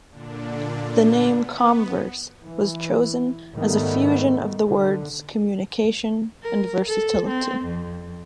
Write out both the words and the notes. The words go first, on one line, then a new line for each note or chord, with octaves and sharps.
The name "Comverse" was chosen as a fusion of the words "communication" and "versatility".
A#2 D3 D4
B3
E3
G#2 D#3 G3 A3 B3
D3
A#4
A4
C4
F2